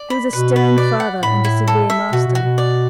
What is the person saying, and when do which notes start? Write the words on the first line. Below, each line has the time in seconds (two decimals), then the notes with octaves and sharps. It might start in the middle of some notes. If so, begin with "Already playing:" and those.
He was a stern father and a severe master.
Already playing: D5
0.10 B5
0.33 B2 B4
0.56 B4
0.78 D5
1.00 F#5
1.22 A2 B5
1.45 E4
1.68 A4
1.90 E5
2.12 B2 F#4
2.27 B2
2.35 F#4
2.42 B2
2.58 D5